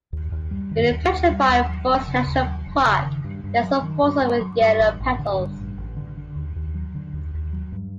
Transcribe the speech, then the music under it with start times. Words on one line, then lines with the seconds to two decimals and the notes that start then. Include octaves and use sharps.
In the Petrified Forest’s National Park there’s a fossil with yellow petals.
0.13 D#2
0.32 D#2
0.51 G3
0.71 D#3
0.91 D#2
1.10 D#2
1.30 G3
1.49 D#2
1.69 F#3
1.87 E1
2.08 C#3
2.26 D#2
2.46 F#3
2.66 E1
2.85 C#3
3.04 D#3
3.24 G2
3.44 G2
3.63 F#3
3.82 D#3
4.03 G2
4.22 G2
4.41 F#3
4.61 G2
4.80 A1
5.00 A1
5.19 D3
5.39 G2
5.58 A1
5.77 A1
5.96 D3
6.17 D3
6.35 D#2
6.56 D#2
6.74 F#3
6.95 D3
7.13 D#2
7.34 D#2
7.53 F#3
7.72 G2